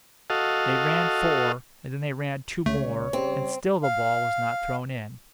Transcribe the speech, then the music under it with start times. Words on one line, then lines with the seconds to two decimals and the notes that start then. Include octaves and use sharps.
They ran four, and then they ran two more, and still the ball was not thrown in.
0.30 F#4 A4 D#5 F5
2.66 C#2 C#3 A3 C#5
3.13 C#3 G3 C4
3.83 F5